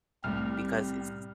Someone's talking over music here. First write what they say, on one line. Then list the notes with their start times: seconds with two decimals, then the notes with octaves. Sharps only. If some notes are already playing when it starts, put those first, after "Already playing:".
because it's
0.24 C2 A2 G3 C4 F6